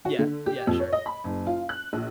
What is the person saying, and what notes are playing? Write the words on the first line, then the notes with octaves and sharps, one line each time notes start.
Yeah, yeah, sure.
F#4
D3
G4
F2
C#5
D#5
B5
F#1
F4
F#6
A#1